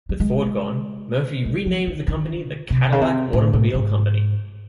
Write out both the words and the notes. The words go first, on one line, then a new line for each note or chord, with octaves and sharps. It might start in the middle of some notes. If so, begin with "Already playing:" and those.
With Ford gone, Murphy renamed the company the Cadillac Automobile Company.
G3
G#3
G#3
F3
D#3
D3
C3
C#3
C3
A2
A2
G#2